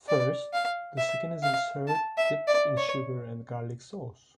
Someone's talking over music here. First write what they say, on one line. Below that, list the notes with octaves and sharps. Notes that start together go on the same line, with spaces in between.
First, the skin is served dipped in sugar and garlic sauce.
D5
F5
E5
F5
A5
E5
D5
C#5